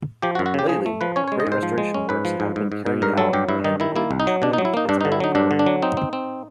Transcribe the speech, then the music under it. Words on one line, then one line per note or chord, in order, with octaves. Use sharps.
Lately, great restoration works have been carried out and retrieved its old glory.
F3 G4
F#4
F#2
F#4
C#3 G4
F3 G#4
A3
F3 B4
C#4 C#5
C#5
G#3
D#5
G#2
C5
F3
G#3
C#4
G#2 B4
F3
G#2
G#2
G#2
G#2
G2 A#4
F#3 A4
G2 G4
G2 E4
D#3 D#4
D#3 E4
A#3 E4
C2
D#4
F#3
B2 D4
D#4
F#3
E4
A#3 D#4
G2 D4
D#4
D3
E4
F#3 D#4
G2 D4
D3
D4
F#3
C4 D#4
C4
C4